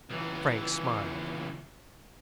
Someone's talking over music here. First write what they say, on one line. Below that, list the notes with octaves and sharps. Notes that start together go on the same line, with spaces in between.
Frank smiled.
C#2 E3